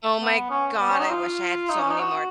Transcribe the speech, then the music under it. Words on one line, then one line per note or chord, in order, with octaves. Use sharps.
Oh my God, I wish I had so many more
B3
C#4
B3
C#4
D#4
F4
D#4
C#4
D#4
F#4